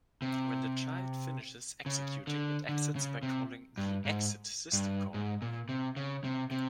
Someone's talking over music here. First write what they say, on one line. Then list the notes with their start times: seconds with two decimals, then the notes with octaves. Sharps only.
When the child finishes executing, it exits by calling the "exit" system call.
0.22 C3
1.86 C#3
2.27 D3
2.69 D3
2.96 C#3
3.23 C3
3.78 G2
4.05 G#2
4.73 G2
5.14 G#2
5.42 A#2
5.69 C3
5.97 C#3
6.24 C3
6.51 C3